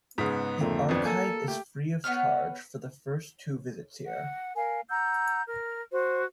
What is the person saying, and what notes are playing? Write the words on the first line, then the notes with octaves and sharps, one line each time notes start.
The archive is free of charge for the first two visits here.
G#2 C#3 B3 D#6 B6
F2 D3 A3 A#3
G#1 F2 B3 C4 D4
A#3 A4 G#5
A3 G4
B3 C#4 C#5 F6
F#5
A#4 F5 G#5
F#5 A#5 E6 G6
A#4 F6
F#4 C5